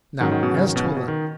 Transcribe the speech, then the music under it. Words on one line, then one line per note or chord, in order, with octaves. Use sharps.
Now, as to a letter.
G#2 D#3 F#3 C#4
D#3
B2
C#3
D#3
B2
C#3
B2
D#3